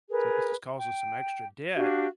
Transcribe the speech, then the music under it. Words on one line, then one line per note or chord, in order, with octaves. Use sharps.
So, this is causing some extra debt,
G#4 A#4 B4
G5
D4 F#4 G4 F5